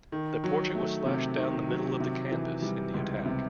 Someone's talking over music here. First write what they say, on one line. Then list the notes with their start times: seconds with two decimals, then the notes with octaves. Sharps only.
The portrait was slashed down the middle of the canvas in the attack.
0.12 D#3
0.44 F#3
0.75 A3
1.06 C3
1.37 D#3
1.69 F#3
2.00 C3
2.32 E3
2.62 G3
2.94 C#2
3.25 C3